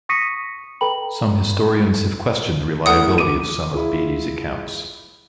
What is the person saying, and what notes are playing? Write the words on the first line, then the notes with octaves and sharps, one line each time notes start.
Some historians have questioned the reliability of some of Bede's accounts.
C#6 D#6 A#6 B6 C#7 D#7
A4 B4 G5 A#5 B5 F#7
E3 A3 E4 F#5 D#6
D6 D#7
E4 F4 G#4